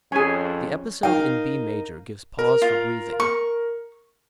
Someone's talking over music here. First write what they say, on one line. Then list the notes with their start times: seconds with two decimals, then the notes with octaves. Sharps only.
The episode in B major gives pause for breathing.
0.12 F2 C#4 G#4 G#5
1.03 D#4 A#4 F5 G5
2.39 A#4
2.62 F4
3.20 C#6